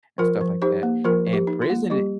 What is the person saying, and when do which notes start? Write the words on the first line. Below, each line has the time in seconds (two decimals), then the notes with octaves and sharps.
And stuff like that and prison i
0.18 F3 F4 A#4
0.41 F3
0.62 D#4 G4 C5
0.83 A#3
1.04 F3 F4 A#4
1.27 F3
1.33 G4
1.47 D#4
1.62 F4
1.70 A#3
1.90 G3 G4